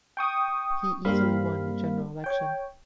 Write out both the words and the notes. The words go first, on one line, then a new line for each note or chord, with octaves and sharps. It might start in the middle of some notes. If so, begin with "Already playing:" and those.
He easily won the general election.
G5 C#6 D#6
G2 G3 A#3 C4 F5 B5
C#5 G5